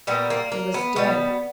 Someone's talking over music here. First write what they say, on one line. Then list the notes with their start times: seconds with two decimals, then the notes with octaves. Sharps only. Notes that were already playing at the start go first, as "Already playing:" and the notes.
He was dead.
0.07 A#2 G3 B3
0.30 A#3
0.52 A#3
0.74 B3
0.96 B2 G3 B3